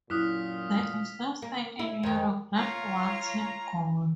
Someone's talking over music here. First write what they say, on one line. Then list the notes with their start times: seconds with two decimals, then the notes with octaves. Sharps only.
There is no State in Europe that wants him gone.
0.10 F#2 A#2 E4 D#6 F6 F#6 B6
1.42 A#3
1.79 E4
2.03 F2 D#3
2.56 F4 C#5 A#5